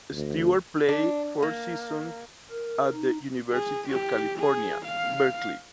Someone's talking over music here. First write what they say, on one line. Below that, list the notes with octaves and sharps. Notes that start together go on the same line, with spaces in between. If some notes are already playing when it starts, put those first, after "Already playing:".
Stewart played four seasons at the University of California, Berkeley.
D2
D4
A#3
A#4
D#4
G#4
G4
G#4
F5